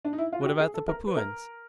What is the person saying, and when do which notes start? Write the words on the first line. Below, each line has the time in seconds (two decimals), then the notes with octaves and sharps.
"What about the Papuans?"
0.05 D4
0.13 D#4
0.18 E4
0.32 F4
0.41 F#4
0.46 G4
0.60 G#4
0.74 A4
0.88 A#4
1.07 B4
1.17 A#4